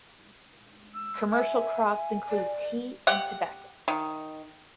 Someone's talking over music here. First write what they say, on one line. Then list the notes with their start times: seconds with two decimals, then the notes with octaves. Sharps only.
Commercial crops include tea and tobacco.
0.94 E6
1.32 E5 G#5
2.29 D5
3.07 G4 F#5
3.88 D#3